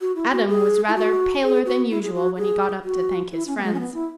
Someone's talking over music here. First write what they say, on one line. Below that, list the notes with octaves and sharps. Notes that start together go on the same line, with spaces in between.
Adam was rather paler than usual when he got up to thank his friends.
F#4
E4
F#4
G#4
E4
F#4
G#4
F#4
E4
G#4
F#4
G#4
F#4
E4
C#4
B3
G#3
C#4
B3
E4